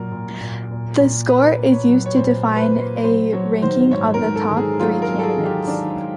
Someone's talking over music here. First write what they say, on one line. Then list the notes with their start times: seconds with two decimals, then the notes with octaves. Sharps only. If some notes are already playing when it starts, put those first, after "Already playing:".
The score is used to define a ranking of the top three candidates.
Already playing: A#2 F#3 A#4
0.12 A#2
0.41 A#2
0.71 A#2
1.00 A#2
1.29 A#3 B4
1.58 A#3
1.72 C#5
1.87 F#3
2.06 C#5
2.16 A#2 C5
2.45 A#3
2.56 B4
2.60 C5
2.74 A#3
3.04 F#3 C5
3.33 F#3 C#5
3.62 D#3 C5
3.91 G#2 C#5
4.14 A#4
4.21 G#2
4.35 A4
4.50 D#3
4.57 G#4
4.79 F#3 F4
5.02 A#4
5.08 F#3
5.19 A4
5.23 G#4
5.38 D#3
5.45 G4
5.67 D#3 D4